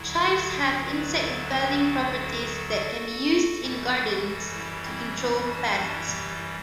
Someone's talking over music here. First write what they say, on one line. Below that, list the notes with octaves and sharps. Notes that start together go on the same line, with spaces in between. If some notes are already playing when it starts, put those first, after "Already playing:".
Chives have insect-repelling properties that can be used in gardens to control pests.
Already playing: D2 D3 F#3 E4
F#4 A4
B4 D5
A4 C5
G4 B4
F#4 A4
F#4 A4
F#4 A4
F#2 E3 G3
E4 G4
C4 E4
D4 F#4
E4 G4